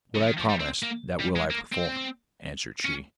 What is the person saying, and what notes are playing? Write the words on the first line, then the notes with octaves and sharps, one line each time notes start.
'What I promised that will I perform,' answered she.
C#3
F3
D#3
F3
G3
C4
A#3
G3
G#3
A#3
C4
C#4